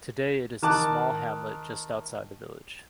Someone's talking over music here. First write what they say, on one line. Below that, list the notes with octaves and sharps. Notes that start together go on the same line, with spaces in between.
Today it is a small hamlet just outside the village.
D#3 A5 D6 F#6